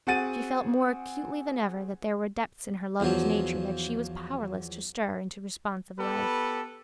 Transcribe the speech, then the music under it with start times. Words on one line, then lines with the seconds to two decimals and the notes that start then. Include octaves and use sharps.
She felt more acutely than ever that there were depths in her lover's nature that she was powerless to stir into responsive life.
0.07 C4 F#4 G#4 F#5 A6 D#7
3.00 E2 F3 F#3
5.99 B3 G4 A4 B4